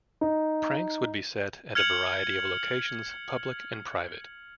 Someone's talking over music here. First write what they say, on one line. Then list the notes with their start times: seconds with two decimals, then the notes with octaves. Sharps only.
Pranks would be set at a variety of locations, public and private.
0.21 D#4
1.75 F6 G#6 C#7 F7 F#7